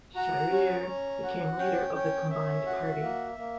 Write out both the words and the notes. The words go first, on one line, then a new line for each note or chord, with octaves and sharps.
Sjahrir became leader of the combined party.
F#4 A#5
C#4
C#4
F#4
C#4 G5
C#4 G5
C#4 E5
F#4
A#3
A#3